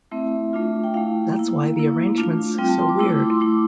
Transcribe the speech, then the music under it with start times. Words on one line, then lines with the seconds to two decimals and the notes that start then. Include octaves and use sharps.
That's why the arrangement's so weird.
0.11 A3 C4 E4 E5
0.53 A3 D4 F4
0.84 G5
0.94 A3 E4 F5
1.34 A#3 E4
1.76 A#3 E4
2.17 A3 D4 F4
2.58 G3 C4 F4 G5
2.69 A5
2.79 C6
2.89 D6
2.99 A3 E4 E6
3.10 D6
3.20 D6
3.30 C6
3.40 A3 E4 D6